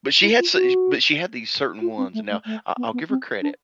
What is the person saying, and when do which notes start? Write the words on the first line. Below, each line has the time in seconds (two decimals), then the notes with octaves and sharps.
But she had so but she had these certain ones. And now I I'll give her credit.
0.22 E4
0.38 F4
0.54 F#4
1.81 F4
1.97 C4
2.13 A3
2.30 A3
2.45 A3
2.77 B3
2.93 B3
3.09 C4
3.42 D4